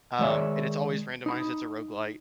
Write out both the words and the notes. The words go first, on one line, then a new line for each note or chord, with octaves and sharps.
um, and it's always randomized, it's a roguelite,
D#3 G#3 C#5 D5 E5
D#4 B5